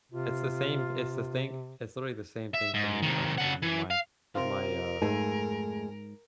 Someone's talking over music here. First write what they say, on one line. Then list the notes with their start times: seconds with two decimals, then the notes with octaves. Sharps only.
it's the same it's the same it's literally the same thing for me, trust me, with my with my, uh,
0.12 C3 F4
2.54 E5
2.74 G#2
3.03 C3 D#3
3.38 C#3 F#5
3.63 E3
3.90 F5
4.35 C3 C4 F4 A#4
5.02 F2 G#2 A3 G#4 G#5